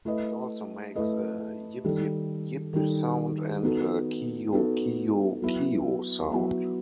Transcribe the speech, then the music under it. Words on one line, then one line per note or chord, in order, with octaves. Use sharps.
It also makes a "yip yip yip" sound and a "kee-u, kee-u, kee-u" sound.
A3 E4 B4 D#5
A3 E4 B4 D#5
D#3 G3 D#4 A4
D#3 G3 D#4 A4
B3 D#4 F#4 A4
B3 D#4 F#4 A4
F#3 B3 E4
F#3 B3 E4